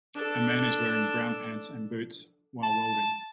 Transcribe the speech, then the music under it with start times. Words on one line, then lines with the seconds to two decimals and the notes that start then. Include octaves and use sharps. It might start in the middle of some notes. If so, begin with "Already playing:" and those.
A man is wearing brown pants and boots, while welding.
0.15 D4 A4
2.63 A5